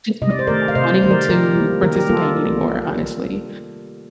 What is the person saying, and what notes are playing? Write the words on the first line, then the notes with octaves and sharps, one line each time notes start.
just really not wanting to participate anymore, honestly.
C3 D#5
D5
C5
D#3 A3 A#4 D5
F5
C3 C5 D#5
D#3 A3 A#4 C5 D5
D#3 G4 A#4
G3 A#3
D#3 G4 A#4
G4 A#4
G3 A#3 F4 A4